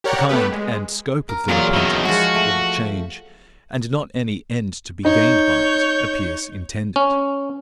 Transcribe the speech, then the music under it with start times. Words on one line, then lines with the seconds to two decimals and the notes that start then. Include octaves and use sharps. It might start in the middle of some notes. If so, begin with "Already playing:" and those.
The kind and scope of the repentance or change, and not any end to be gained by it, appears intended.
0.04 G4 A#4 C#5 D5 F#5
0.29 A3 B3 G4 B4
0.52 G#3
1.29 A#4
1.48 E2 A#2 F#3 F4 A#4
1.73 B2 D#3 E5
2.05 F3 G#3 F#4
2.35 A3
5.05 D#4 C#5 G6
6.96 C#4